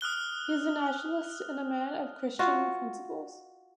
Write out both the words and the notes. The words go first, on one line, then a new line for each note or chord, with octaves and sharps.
He is a nationalist and a man of Christian principles.
D#6 F6 F#6 G7
F4 F#4